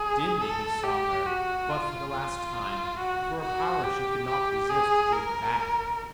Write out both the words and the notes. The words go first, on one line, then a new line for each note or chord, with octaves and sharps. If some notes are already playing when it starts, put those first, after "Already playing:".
Dimly he saw her, but for the last time, for a power she could not resist drew her back.
Already playing: G#4
A4
G4
F#4
F4
F4
F#4
F#4
G4
G4
G#4
A#4